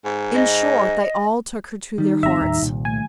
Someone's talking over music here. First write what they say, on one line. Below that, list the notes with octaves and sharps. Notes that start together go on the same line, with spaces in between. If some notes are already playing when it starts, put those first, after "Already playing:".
In short they all took her to their hearts.
G#2
D#5
D#3 G3 D#4
G#1 C4 E5 A#5
D#2 A2
C2 A#2
A3 G#5